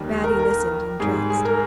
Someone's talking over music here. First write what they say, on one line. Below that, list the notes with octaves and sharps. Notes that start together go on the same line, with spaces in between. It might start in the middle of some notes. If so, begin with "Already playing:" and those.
Mattie listened entranced.
Already playing: D#2 D#3 G3
A#4
A#4
G#2 G3 G#4
G#4
A#4